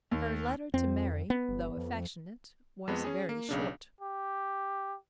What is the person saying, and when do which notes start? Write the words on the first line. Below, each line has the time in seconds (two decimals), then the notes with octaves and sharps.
Her letter to Mary, though affectionate, was very short.
0.11 D#2
0.74 F2 C4
1.30 B3
1.48 G1
1.77 F2
2.88 F2 G#3 B3
3.04 C#4 G#4
3.29 A#3
3.49 B1 C#3 D4
4.01 G4